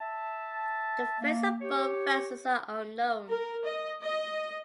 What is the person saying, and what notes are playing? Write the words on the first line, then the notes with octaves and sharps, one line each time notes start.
The fates of both vessels are unknown.
E5 A5
A#3
G4 C#5
A#4
D#5
D#5